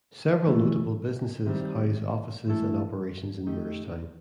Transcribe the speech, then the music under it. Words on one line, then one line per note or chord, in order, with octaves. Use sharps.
Several notable businesses house offices and operations in Moorestown.
F#2 E3 A3
C3 D#3 G3 C4
A2 E3 A3 E4 A4
D#3 A3 D#4 G4